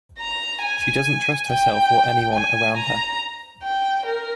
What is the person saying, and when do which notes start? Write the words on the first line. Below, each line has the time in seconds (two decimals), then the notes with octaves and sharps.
She doesn't trust herself or anyone around her.
0.19 A#5
0.62 G#5
1.48 G5
2.34 G#5
2.77 A#5
3.63 G5
4.06 A#4